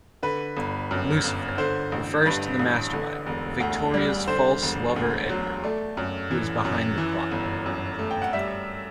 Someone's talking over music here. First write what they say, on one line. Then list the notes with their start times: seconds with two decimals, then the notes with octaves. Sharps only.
"Lucifer" refers to the mastermind, Victoria's false lover Edward, who is behind the plot.
0.23 D3 B4
0.57 G1
0.91 F#2
1.24 G1
1.58 D3 C5
1.92 A1
2.26 G2 B4
2.59 A1
2.93 D3
3.26 E1
3.60 D2
3.94 G3
4.27 D3 C5
4.62 E1
4.96 D2
5.29 F#3
5.64 A3 D5
5.97 F#2
6.31 E3
6.65 F#2
6.98 E3
7.31 G1
7.66 F#2
7.99 A3
8.11 G5
8.22 F#5
8.33 G3 E5